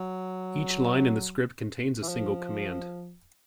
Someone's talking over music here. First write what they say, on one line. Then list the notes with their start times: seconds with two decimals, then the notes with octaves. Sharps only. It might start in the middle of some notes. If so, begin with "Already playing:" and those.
Each line in the script contains a single command.
Already playing: F#3
2.02 E3
2.09 F3